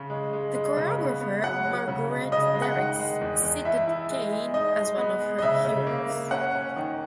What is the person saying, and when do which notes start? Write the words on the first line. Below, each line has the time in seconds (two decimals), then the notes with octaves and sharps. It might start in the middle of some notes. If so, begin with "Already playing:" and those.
The choreographer Marguerite Derricks cited Kain as one of her heroes.
Already playing: C#3
0.10 G#3
0.33 G#3
0.55 G#3
0.77 C#3
0.99 B3
1.21 B3
1.43 F#3 F#5
1.66 F#3
1.88 C#3
2.10 G#3
2.32 C#3 D#5
2.54 G#3
2.62 F#5
2.77 D#3
2.99 G#3
3.21 E2
3.43 E2
3.65 E4 E5
3.88 E4
4.10 G#3
4.32 G#3
4.54 D#4 D#5
4.77 G#3
4.98 B3
5.20 G#3
5.39 D#5
5.42 C#3 E5
5.65 C#3
5.87 A#3
6.10 A#3
6.31 C#4 F#5
6.54 C#4
6.76 D#3